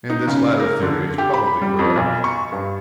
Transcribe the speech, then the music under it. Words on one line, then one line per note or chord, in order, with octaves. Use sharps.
And this latter theory is probably correct.
D#4
C#3
A#4
D3
G4
B5
G3
F2
B1
C#6
G2